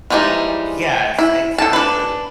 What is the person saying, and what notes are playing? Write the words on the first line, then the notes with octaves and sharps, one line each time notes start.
Yes. Exactly.
E3 F3 G3 G#3 D#4
E4
A4 A5
D4 B4